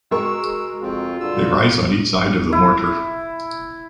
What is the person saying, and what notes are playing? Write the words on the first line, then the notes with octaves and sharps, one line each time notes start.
They rise on each side of the mortar.
G#3 F#4 A#4 C#6 E6
F2 C4 F4
G2 D3 E6
E4